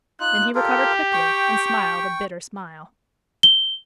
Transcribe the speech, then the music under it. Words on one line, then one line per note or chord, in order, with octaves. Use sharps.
Then he recovered quickly and smiled a bitter smile.
D#4 F4 F#6
F4 G4 A4 A#4
G5 C#6
G7